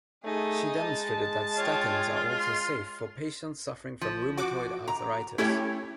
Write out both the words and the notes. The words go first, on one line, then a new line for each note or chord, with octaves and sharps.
She demonstrated that statins are also safe for patients suffering from rheumatoid arthritis.
A3 D#4 G#4 D#5
G#3 A5
F4 C#5 G5
C6
F3
F#4 D6
A#5
A3 C#4 E4 G4 C#5